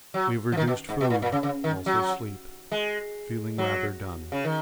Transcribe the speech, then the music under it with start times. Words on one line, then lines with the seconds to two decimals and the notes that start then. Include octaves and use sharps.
We have reduced food, also sleep; feeling rather done.
0.14 F#3
0.52 F3
0.57 D#3
0.67 B2
0.89 G#2
1.01 B2
1.10 A#2
1.22 A#2
1.32 C#3
1.43 C#3
1.64 D#3
1.86 F#3
2.72 G#3
3.58 F#3
4.32 C#3
4.44 D#3